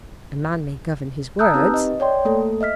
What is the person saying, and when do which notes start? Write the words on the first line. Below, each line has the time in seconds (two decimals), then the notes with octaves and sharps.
"A man may govern his words."
1.39 A5 A#5 D#6 E6 F#6 G6
1.54 C4 D#4 G4 B4
1.74 D#5
2.00 C#5 D5 G5 C6
2.25 A3 A#3 A4
2.61 D#5 E5 F6 B6